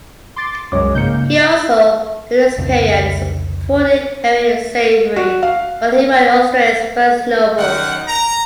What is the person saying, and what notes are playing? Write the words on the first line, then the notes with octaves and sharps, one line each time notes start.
He also, during this period, supported Henry Savery while he wrote Australia's first novel.
C6 D6 A6
C2 F#2 G#3 C#5 D6
G#2 C#3 A#3 G6 C#7
C2 F2 C#3 C4
F#4
F5
F#2 D#3 F#5
A#5